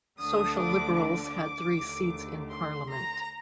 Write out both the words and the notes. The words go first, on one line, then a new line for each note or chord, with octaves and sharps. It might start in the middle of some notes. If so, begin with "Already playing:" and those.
Social-liberals had three seats in Parliament.
D2 D3 A3 D4 D#6
D6
D6
D#2 D3 A3
C6
A#5